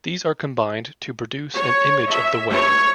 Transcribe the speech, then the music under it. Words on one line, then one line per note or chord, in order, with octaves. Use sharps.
These are combined to produce an image of the wave.
C#5
E5
C#5